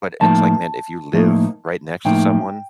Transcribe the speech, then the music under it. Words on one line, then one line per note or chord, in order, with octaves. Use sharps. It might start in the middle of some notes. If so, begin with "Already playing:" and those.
But it's like, man, if you live right next to someone
A2 F3 A#3 D#4 A5
A2 F3 A#3 D#4
A2 F3 A#3 D#4 G5